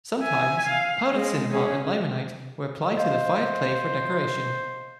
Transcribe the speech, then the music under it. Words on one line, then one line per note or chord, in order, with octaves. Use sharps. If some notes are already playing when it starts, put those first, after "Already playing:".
Sometimes powdered cinnabar and limonite were applied to the fired clay for decoration.
E5 G#5
F5
G#3
C#4 G#4
C5 D#5 F5